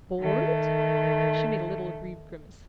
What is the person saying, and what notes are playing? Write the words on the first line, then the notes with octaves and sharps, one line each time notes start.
"BORED?" She made a little aggrieved grimace.
D#3 A3